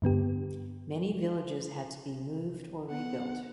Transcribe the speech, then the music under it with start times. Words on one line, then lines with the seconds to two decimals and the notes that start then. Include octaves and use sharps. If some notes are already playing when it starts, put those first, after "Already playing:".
Many villages had to be moved or rebuilt.
0.02 G2 D3 B3 G4
2.90 B3 F#5